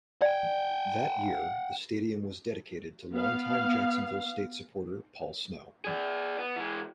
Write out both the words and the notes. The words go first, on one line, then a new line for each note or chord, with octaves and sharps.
That year, the stadium was dedicated to longime Jacksonville State supporter Paul Snow.
D5 F#5 G5
B3 F5
G#4 D5
B3
E3 G#3